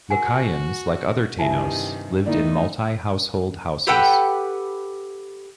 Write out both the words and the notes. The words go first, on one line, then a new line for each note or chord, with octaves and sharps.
Lucayans, like other Tainos, lived in multi-household houses.
F#4 A#4 F#5 G#5
G2 C3 D#3 E4 E5 G#5 A5
D#3 A3 D#4 E4 D5
G4 A4 B4 F#5 G5